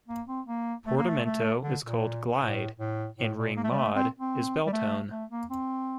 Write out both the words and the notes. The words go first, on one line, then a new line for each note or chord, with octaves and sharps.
Portamento is called "Glide" and Ring Mod is "Bell Tone".
A#3
C4
A#3
A3
A#3
A3
A3
D3
A#2
A2
A2
A2
A#2
A#3
A3
G3
A3
C4
C4
G3
A3
A3
A#3
C4